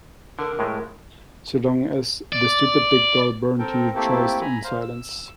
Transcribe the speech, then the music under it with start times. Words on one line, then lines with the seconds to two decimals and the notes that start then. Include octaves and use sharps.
So long as the stupid big doll burned he rejoiced in silence.
0.39 D3 A#4
0.59 A2 G#3 A3
2.32 D5
3.59 C4 A4 A#4 G5
3.95 A3 A#3 C4 E4 G4 A4
4.41 G#5 A#5 B5
4.64 C5 F5
4.81 E6